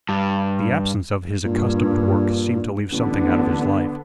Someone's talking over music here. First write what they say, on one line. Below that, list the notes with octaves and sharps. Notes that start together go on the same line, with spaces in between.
The absence of his accustomed work seemed to leave something out of his life.
G2
G2 A#2
A1 D3 B3